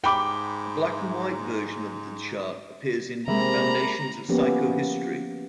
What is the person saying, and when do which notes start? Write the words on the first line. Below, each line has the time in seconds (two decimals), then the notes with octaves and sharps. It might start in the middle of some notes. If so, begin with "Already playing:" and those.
A black-and-white version of the chart appears in "Foundations of Psychohistory".
0.04 G#2 G5 B5 D6
3.28 C3 G#3 A#3 E5 A#5 B5
4.29 F3 A#3 B3 C#4 G4